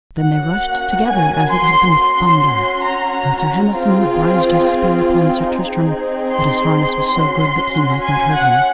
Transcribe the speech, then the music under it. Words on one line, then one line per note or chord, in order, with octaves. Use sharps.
Then they rushed together as it had been thunder, and Sir Hemison brised his spear upon Sir Tristram, but his harness was so good that he might not hurt him.
A#3 C#4 F#4 F#5
G#5
C6
C#4 F#4 C6
A#5
A#5
C4 F4 G#4
C4 D#4 G#4
C6
C6
C#4 F#4
G#5
F#5